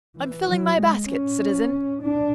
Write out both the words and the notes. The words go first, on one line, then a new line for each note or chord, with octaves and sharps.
"I'm filling my basket, citizen."
E3
F#3
G#3
C#4
D4